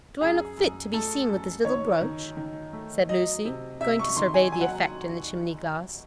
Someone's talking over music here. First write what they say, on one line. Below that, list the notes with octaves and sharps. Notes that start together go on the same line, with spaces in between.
"Do I look fit to be seen with this little brooch?" said Lucy, going to survey the effect in the chimney-glass.
F#2 G#4
F#2
A3 A4
F#2
D#3 C#5
D#3
D#3
A3
F#3 D#5
C3
C3 E5
C#6
D#3 C6
G#5
F#3 G#5
F#5